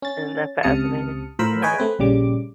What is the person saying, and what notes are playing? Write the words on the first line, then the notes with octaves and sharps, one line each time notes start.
Isn't that fascinating? Yeah.
C#4 A6
C#2 C3 A5 D#6 F6 C#7
A2 F3 A#4 C5 B5 E6
G#4 B4 C#5 D#5 G5 G#5
A3 C4 B4
A#1 C#3 G3 D6